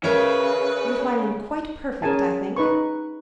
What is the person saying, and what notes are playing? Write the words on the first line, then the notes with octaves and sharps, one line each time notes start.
"You'll find them quite perfect, I think."
C#3 A#4 B4 C#5 E5
C#4 G#4 A#4 G#5 A5
D#4 B4 C#6